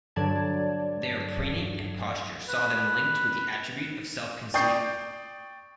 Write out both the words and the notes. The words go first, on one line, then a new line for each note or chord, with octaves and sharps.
Their preening and posture saw them linked with the attribute of self-conceit.
G2 D3 F#3 D5 A5 G#6
B4
D5 G5 C#6 D#6 G6 C7